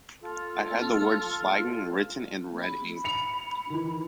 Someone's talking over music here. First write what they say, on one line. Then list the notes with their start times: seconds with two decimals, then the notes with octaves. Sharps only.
I had the word "flagging" written in red ink.
0.21 F4 A4
2.61 B5
3.04 C#7 F7
3.70 D#3 E3